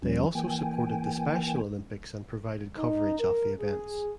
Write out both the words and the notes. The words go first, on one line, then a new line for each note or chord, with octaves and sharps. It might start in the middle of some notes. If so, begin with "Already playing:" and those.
They also supported the Special Olympics and provided coverage of the events.
D#2 F3 G3 C#4
E3 A#3 G5 G#5
D#4
A#4
G#4